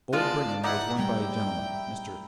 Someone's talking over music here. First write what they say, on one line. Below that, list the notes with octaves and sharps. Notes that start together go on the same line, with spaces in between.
Old Brigham was won by a gentleman--Mr.
G#3 B3 F4 D5 A5
D#4 E4 D5 F#5
G3 A3 G5
E5